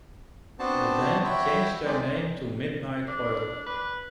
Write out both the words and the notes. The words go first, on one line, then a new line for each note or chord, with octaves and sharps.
The band changed their name to Midnight Oil.
B3 C4 D4 F#4 C5 A5
F#4 C#5 E5 G5 B5
G#3 C4 D#4 D5
D4
B4